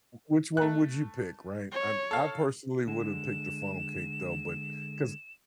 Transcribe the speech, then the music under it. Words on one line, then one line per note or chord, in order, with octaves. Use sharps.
W which one would you pick, right? I I personally would've picked the funnel cake though, but 'cause
A3 F#6
C#5
A4 F5
D3 G#3 E7